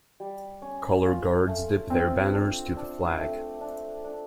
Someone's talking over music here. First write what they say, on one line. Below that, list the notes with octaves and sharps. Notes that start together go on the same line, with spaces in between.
Color guards dip their banners to the flag.
G3
C#4
F4
A3
C4 D4
D4
D4
A3
D4
D4